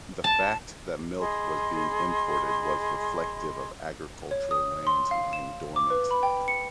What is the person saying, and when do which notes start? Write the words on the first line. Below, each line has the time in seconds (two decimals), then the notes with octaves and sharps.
The fact that milk was being imported was reflective of agricultural land lying dormant.
0.24 A5
1.19 G#4 D#5 B5 C6
4.31 C#5
4.51 D#6
4.87 C6
5.11 F5
5.33 E7
5.76 D6
5.90 B4
6.11 B5
6.23 G5
6.48 C#7